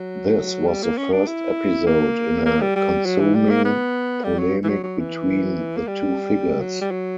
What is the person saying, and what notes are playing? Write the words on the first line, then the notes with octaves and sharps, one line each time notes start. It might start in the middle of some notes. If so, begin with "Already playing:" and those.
This was the first episode in a consuming polemic between the two figures.
Already playing: F#3
G3
A#3
C#4
D4
E4
A#3
A#3
G3
G3
F#3
E3
G3
A#3
B3
G3
F#3
E3
F#3
F#3
E3
A#3
G3
F#3
G3
F#3